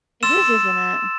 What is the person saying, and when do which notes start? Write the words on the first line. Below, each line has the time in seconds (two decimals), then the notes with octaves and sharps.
It is, isn't it?
0.23 C6 E6 A6 E7